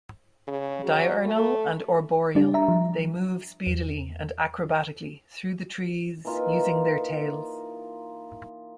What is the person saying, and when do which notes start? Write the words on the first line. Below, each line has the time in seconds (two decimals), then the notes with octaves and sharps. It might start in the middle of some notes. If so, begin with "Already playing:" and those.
Diurnal and arboreal, they move speedily and acrobatically through the trees using their tails.
0.47 C#3
0.84 F#3
1.25 A3
2.35 G3 D4 G4
2.54 E5 A#5
2.68 F3
3.67 E2
6.25 E3 A#3 D#4 F4